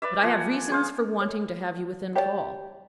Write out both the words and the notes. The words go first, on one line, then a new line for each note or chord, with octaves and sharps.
But I have reasons for wanting to have you within call.
B4 D5 E5
F3 F#5 G#5
G#4 C5 F5
C#5
G4 C#5 D5 F5 A5